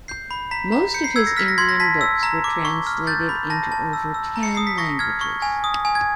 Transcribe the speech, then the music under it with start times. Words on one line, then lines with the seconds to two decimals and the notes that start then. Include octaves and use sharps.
Most of his Indian books were translated into over ten languages.
0.08 G6 C7
0.31 B5
0.51 A#5 B6
0.72 A#5
0.94 G6 C#7
1.04 C7
1.16 E6 G#6
1.27 A#6
1.37 F6 B6
1.48 A#6
1.58 C6 G#6
1.69 A#6
1.80 A5 B6
2.01 E6
2.23 A#5
2.44 D6
2.65 C#6
2.87 F6
3.07 G6 A6
3.29 B5
3.50 A5 A#6
3.72 A5
3.93 E6
4.14 E6
4.36 A#5
4.43 C#7
4.55 D#6 C7
4.67 B6
4.78 C#6 A#6
4.99 F6 G#6
5.21 C#6
5.42 G#5
5.64 D#6
5.85 G#5
5.95 G#6